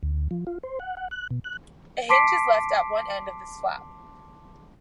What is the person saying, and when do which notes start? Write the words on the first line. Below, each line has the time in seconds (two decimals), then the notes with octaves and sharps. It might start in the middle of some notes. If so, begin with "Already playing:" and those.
A hinge is left at one end of this flap.
0.03 D2
0.31 F3
0.47 F4
0.63 C5
0.80 F#5
0.97 F#5
1.11 F#6
1.30 B2
1.44 F#6
2.09 A5 C6 D6 B6 C7 D7